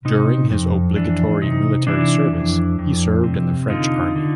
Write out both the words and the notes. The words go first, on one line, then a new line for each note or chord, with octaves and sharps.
During his obligatory military service he served in the French Army.
C3 D#4
F2
E3 D4
C3 D#4
E3 D4 E4
F2
F2
C3
D3 D#4 F4
D3